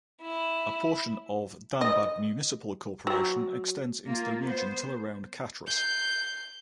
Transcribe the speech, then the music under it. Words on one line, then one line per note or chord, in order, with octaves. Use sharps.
A portion of Dhanbad Municipal Corporation extends into the region till around Katras.
E4
D#5
F#3
A#3 F4
B3 C5
G6 C7